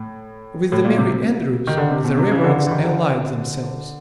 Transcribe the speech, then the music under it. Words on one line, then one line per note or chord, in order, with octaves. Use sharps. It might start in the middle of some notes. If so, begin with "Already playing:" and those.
With the merry-andrews the reverends allied themselves.
Already playing: A2
A2
A#2
C3
D#3
D3
C3
B2
C3
C#3
D3
D3
E3
D#3
D3